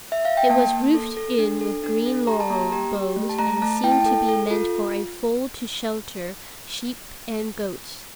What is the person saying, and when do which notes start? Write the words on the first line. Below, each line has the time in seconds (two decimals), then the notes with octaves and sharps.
It was roofed in with green laurel boughs and seemed to be meant for a fold to shelter sheep and goats.
0.12 E5
0.25 F5
0.37 G5
0.49 A#3 A5
0.73 A#3
0.94 A4
1.17 A4
1.38 D4
1.61 A4
1.84 D4
2.06 A4
2.27 G4 A#5
2.40 A5
2.50 A#3 A#5
2.72 G4
2.95 G4
3.16 A3
3.29 A5
3.39 A3 A#5
3.62 A3 A5
3.84 E4 G5
3.92 A5
4.00 G5
4.06 A4
4.29 A4
4.51 F4